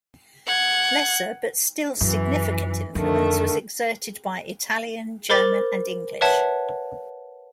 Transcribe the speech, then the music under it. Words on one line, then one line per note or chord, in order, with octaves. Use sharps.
Lesser but still significant influence was exerted by Italian, German and English.
F#5 G#6
F#2 E3
F2 D3 D#3 A3
A#4 C5 B5 D6 A6
B4 C#5 E5 F#5 A5 G#6